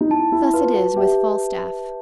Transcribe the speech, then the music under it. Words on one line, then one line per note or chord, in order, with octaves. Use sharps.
Thus it is with Falstaff.
D#4
E4 A5
E4
F4 B4
F#4
G4 E5